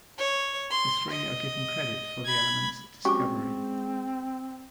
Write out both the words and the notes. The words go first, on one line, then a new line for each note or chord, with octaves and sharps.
The three are given credit for the element's discovery.
C#5
C6
D#5
B5 G#6
G#3 C4 C#4 F#4 G4 C#6 D6